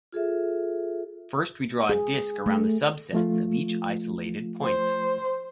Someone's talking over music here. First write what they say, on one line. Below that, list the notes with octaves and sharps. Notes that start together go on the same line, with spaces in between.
First, we draw a disc around the subsets of each isolated point.
F4 G#4 A4 E5
G#4
A3
F3 A3 F4
C5